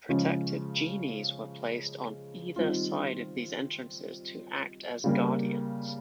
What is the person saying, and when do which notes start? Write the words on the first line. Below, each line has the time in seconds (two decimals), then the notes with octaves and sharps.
Protective genies were placed on either side of these entrances to act as guardians.
0.09 C#3 F3 G#3 C#4
2.56 D#3 G3 C4 F4
5.04 C#3 G3 A#3